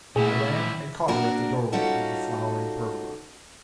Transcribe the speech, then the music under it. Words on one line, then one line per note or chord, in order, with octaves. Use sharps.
I ran and caught her at the doorway of the flowered pergola.
A#2 C#3 G3 A3 E4 G#4 F#5
A#3 C4 D4 F#4 A#4
G3 C#4 D#4 F4 F#4 A4